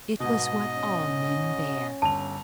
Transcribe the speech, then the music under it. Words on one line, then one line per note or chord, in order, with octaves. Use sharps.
It was what all men bear.
G#2 B2 B3 D#5
C#4
G1 A5 F7